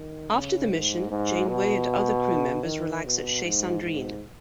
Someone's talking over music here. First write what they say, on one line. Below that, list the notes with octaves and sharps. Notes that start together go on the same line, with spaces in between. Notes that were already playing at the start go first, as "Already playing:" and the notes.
After the mission, Janeway and other crew members relax at "Chez Sandrine".
Already playing: D#3
C#3
G#2
G#2
B2
D#3
B2
G#2
G#2